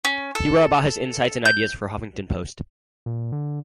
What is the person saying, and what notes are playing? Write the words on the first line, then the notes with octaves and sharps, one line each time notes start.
He wrote about his insights and ideas for Huffington Post.
C#4
A4
G6
A#2
D3